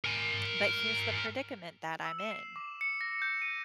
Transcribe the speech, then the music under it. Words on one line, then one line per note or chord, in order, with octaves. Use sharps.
But here's the predicament that I'm in.
A#4 G#5
E6
E7
C7
D6
C#7
A#6
G6
D#7